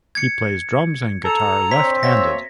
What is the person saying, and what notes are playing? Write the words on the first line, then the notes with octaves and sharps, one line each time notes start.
He plays drums and guitar left-handed.
G#6 C#7
A4 A#5
C4 D4 A4 C#5 B6
B2 A#3 C#5 E5 A#6